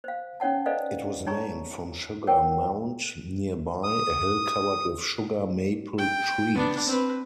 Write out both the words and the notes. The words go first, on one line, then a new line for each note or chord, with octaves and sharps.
It was named from Sugar Mound nearby, a hill covered with sugar maple trees.
C5 F5
C#4 D#4 C#5 F#5 A5
A4 B4 C5 D5 D#5 F5
D#4 C#5 G#5 A#5 C#6
A#4 C#5 F#5 G5
D#6
G5
B3 D4
C4 B4